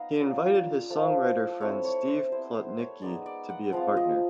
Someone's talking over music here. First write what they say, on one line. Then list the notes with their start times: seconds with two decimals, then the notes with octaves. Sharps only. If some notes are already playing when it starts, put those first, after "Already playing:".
He invited his songwriter friend Steve Plotnicki to be a partner.
Already playing: B3 D#4 D#5 F5
0.20 A#3 C#4 F4 D5
0.90 F3 A3 D4 F4
1.61 A3 C4 E4 C#5
1.85 C#5
2.08 C5
2.31 G3 B3 E4 C5
2.55 C5
2.79 C#5
3.02 G#3 B3 D#4 D5
3.26 D5
3.49 F#5
3.72 F3 G#3 C4 F4 F5
3.97 D#5